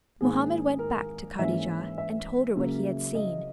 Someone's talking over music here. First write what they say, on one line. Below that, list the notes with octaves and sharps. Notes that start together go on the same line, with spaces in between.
Mohammed went back to Kadijah and told her what he had seen.
G#2 D#3 A#3 G#4
A#4
G#2 E3 A#3 C#4 E5
E5
C#2 C#3 F#3 A#3
D#5